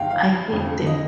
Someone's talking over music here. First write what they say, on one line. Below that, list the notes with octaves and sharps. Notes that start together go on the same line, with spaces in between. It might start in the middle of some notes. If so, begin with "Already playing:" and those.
I hate them.
Already playing: G1 G2 D#3 F5 G5
F5
F1 F2 D3
D#5